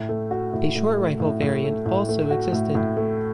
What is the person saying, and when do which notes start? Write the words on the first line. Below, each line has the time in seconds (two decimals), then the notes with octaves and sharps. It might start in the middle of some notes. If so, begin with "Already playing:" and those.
A short rifle variant also existed.
Already playing: A2
0.09 A3
0.31 F#4
0.54 A2
0.76 A2
0.98 A3
1.20 A2
1.42 A2
1.64 A3
1.86 A2
2.09 A3
2.31 F#4
2.53 A2
2.75 A2
2.97 A3